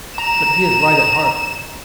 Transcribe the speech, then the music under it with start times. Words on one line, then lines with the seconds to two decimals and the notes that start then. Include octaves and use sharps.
But he is right at heart.
0.18 A#5 E7